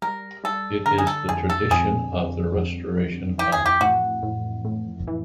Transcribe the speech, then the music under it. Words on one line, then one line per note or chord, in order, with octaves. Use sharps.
It is the tradition of the Restoration Comedy.
G3 A#4
G3 A4
D3 A#4
G#4
A4
F2 G#4
A4
F2 G#4
F2
F2
F2
E3 G4
G#4
G4
A2 F#4
A2
A2
E3